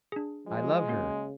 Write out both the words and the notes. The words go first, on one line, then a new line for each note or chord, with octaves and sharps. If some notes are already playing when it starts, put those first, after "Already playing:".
I love her.
D4 G#4
F3 G#3
C#3 A#3 F#4